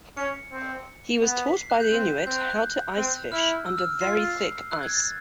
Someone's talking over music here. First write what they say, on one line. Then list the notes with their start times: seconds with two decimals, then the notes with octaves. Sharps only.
He was taught by the Inuit how to ice fish under very thick ice.
0.17 C#4 C#7
0.52 C4
1.22 B3
1.47 B6
1.57 C7
1.70 F#6
1.80 G6
1.92 C4
2.26 C4 G6
2.38 F#6
2.50 F#6
2.97 C4
3.32 E4 F6
3.66 E6
3.78 F6
4.01 F4 C7
4.24 C7
4.71 F#6
4.83 G#6
4.94 A6